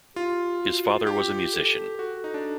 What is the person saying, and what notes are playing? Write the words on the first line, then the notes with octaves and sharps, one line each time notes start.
His father was a musician.
F4 G4
F#4
F4 G4
A4
F#4 A4
D#4
D4